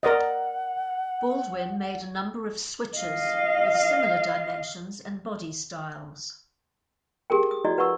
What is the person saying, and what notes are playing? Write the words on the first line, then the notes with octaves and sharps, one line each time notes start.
Baldwin made a number of switchers with similar dimensions and body styles.
A#4 D5 D#5 F#5
D#5 F5
G4 G#4 A#4 G5
D#6
E4 F#4 D5 D#5
B4 F#5 C#6 E6